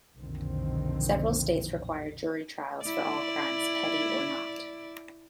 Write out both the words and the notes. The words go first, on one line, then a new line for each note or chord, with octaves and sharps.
Several states require jury trials for all crimes, "petty" or not.
B1 F2 A#2 D3 D#3 C4
E4 D5